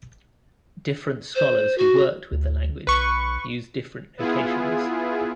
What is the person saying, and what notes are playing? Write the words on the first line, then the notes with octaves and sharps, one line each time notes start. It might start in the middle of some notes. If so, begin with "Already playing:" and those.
Different scholars who worked with the language used different notations.
C5
F#4
D2
B1 B4 C#6
B3 E4 F4 G#4